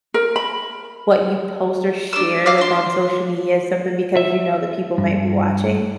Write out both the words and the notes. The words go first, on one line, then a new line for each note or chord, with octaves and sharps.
what you post or share, like, on social media, something, because you know that people might be watching?
A#4
B5
D4 E6
F5 D6 E6
D4 C6
E5
G2